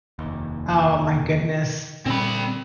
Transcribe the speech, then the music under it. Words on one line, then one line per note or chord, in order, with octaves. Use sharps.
Oh my goodness.
F1 D#2
A#2 D3 G3 C4 B5